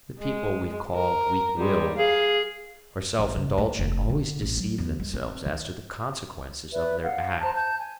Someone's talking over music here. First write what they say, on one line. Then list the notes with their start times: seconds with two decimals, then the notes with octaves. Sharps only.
The people we called weak-willed or self-indulgent always deceive themselves as to the consequences of their acts.
0.20 G#3
0.94 A#4
1.59 G3 G#3
1.98 G#4 F5
3.19 A1
3.36 C#3
3.58 A#3
3.79 F1
4.10 D3
4.42 A1
4.57 F#3
4.78 E2
5.00 G#3
5.14 C4
5.46 D#3
6.72 B4 D5 E5
7.02 F5 F#5
7.40 C5 A5 A#5
7.54 A5 G6
7.80 G#5